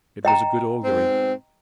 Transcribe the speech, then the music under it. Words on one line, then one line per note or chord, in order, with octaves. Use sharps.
It was a good augury.
D#5 G5 A#5
G#2 B2 C4